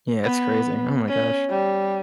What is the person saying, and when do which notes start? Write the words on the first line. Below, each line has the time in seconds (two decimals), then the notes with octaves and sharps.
Yeah, it's crazy. Oh my gosh.
0.24 B3
1.08 C#4
1.50 G3